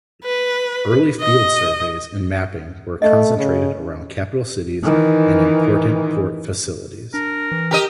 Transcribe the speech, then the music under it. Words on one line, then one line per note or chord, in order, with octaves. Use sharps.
Early field surveys and mapping were concentrated around capital cities and important port facilities.
B4
D#5
A3 D#5
C#3
D#3 E3
D4 A#4
E3
G4 A#4 D#5